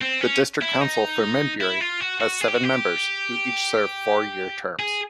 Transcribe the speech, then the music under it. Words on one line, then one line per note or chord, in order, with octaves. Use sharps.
The district council for Min Buri has seven members, who each serve four-year terms.
C4
C#4
E4
D#4
E4
F4
F#4
F#4
G#4
G4
F#4
G4
G#4